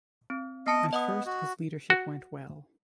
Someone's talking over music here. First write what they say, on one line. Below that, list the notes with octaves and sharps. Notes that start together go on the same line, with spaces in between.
At first his leadership went well.
C4
B3 D#5 A5 C#7
B3 D#5 D#6
F#4
F#4